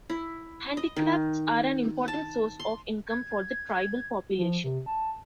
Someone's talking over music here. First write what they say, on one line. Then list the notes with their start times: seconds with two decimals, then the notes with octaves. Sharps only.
Handicrafts are an important source of income for the tribal population.
0.10 E4
0.77 D#5
0.96 D#3
2.08 A5
2.60 C6
3.09 G#6
4.38 F3
4.64 C3
4.86 A5